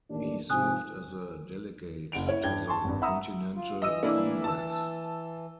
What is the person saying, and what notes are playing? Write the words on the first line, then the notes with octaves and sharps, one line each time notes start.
He served as a delegate to the Continental Congress.
A1 D#2 D4
G#2 C3 F3 G#5 D#6 F#6
F#1 F#5 D7 F7
E4 C#5 E5
G2 G5 G#6 G7
A5 C6 C#6
G#1 G2
E5 F#5 A#5 B5 D#6 E6
F4
E3 D#5 E6 D#7
A#3 D4 E4
A5 E6